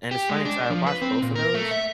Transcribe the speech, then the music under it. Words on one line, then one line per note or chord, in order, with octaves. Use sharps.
And it's funny 'cause I watched both of those,
G4
G#3
D4
F3
B4
C4
A#2
A#4
A3
E5